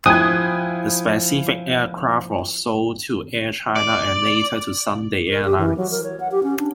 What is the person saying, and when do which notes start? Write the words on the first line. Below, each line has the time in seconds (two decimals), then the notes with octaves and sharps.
The specific aircraft was sold to Air China and later to Sunday Airlines.
0.06 F3 E4 G5 G#5 D#6 F#6 G#6
3.76 D5
5.28 A#4
5.45 G4
5.58 E3
5.77 F#3
5.91 A#4
6.04 C#5
6.20 F#5
6.32 G4
6.43 C#4
6.59 D4